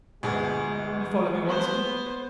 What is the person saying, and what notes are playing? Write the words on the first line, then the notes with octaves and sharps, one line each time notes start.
You follow me, Watson?
G1 D2 G#3 G#4
B3 C5